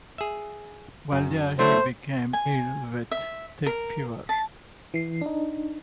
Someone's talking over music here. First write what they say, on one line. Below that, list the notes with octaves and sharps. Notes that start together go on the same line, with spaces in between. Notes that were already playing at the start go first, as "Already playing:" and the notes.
While there, he became ill with tick fever.
G#4 E5
F#2
F#3 A3 D4 E4 C5
G#5
E5
A#4
A5
E3 C7
D4 D#4